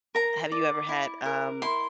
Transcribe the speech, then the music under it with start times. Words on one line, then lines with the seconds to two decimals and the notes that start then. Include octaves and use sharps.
Have you ever had, um,
0.15 A#4 A#5
0.52 D5
0.89 E4
1.26 A#4
1.62 E4 C6